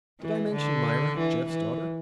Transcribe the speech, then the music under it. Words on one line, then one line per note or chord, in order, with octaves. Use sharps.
Did I mention Myra, Jeff's daughter?
E3
D3
E3
E3